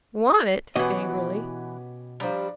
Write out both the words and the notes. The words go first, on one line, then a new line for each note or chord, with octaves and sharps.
"Want it?" angrily.
B2 E3 B3 C#4 G4 D#5 F#5
F3 G3 D4 A#5